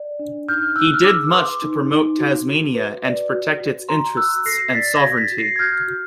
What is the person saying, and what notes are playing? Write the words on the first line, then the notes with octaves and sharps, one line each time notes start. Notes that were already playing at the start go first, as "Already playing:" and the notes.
He did much to promote Tasmania and to protect its interests and sovereignty.
Already playing: D5
D4
D#4 F6 G6
D#4 E6 F#6
F6
G#4 D6 E6
B4 C6 D6
D#4
D#4
F#4
F#4
B4
D5
F#4
F#4
F#4 A#5 C6
F#4 E6 F#6
A4 A#6 C7
D5 A6 B6
G#6 A#6
F#4
A6 B6
F#4
A#6 C7
G#6
F#4 F6 G6
F#4